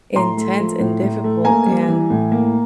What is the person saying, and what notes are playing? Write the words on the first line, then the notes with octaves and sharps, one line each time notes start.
intense and difficult, and
A2 A#5 C6
A3
F3
A2
A2
A3
A#3 G#5 A#5
G3
E3
A2
A#3